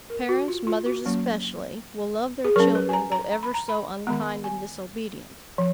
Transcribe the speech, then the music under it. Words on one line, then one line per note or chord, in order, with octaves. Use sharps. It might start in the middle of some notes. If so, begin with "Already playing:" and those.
Parents, mothers especially, will love their children, though ever so unkind and disobedient.
A#4
F#4
F4
F4
F#4
F#3 A#3 C#4
G#4
F#3 C#4 A#4
B4
G#5
A#5
A#5
A#5
B5
A#5
B5
D#3 G#3 B3 A#5
G#5
F3